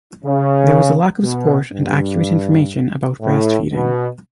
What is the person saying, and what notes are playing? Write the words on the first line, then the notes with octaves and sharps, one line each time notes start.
There was a lack of support and accurate information about breastfeeding.
C#3
B2
G2
A2
B2